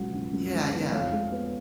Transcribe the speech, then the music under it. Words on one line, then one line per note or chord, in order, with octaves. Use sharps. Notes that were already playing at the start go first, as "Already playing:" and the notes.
Yeah, yeah.
Already playing: C#2 B2 F#3 F#5
C#2
F#2
G#3
B3
F2 C#5 F5
G#3
B3